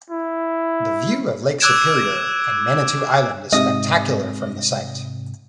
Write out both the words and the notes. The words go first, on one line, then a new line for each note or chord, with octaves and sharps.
The view of Lake Superior and Manitou Island is spectacular from the site.
E4
D6 E6 F#6 G#6 D7 E7
G#2 C3 D#5